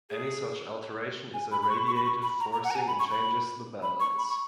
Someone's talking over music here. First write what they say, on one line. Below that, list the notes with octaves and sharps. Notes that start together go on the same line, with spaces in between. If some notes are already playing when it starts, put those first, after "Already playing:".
Any such alteration is a radiative forcing, and changes the balance.
G#4
G#5
B5
B5
C#6
B5
C#6
B5
C#6
B5
A#5
A#5
F#5
A#5
G#5
B5
C#6
B5
B5
C#6
B5
C#6